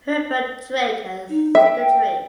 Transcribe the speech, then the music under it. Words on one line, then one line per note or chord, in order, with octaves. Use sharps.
Herbert Drake as secretary.
D#4
E5 G5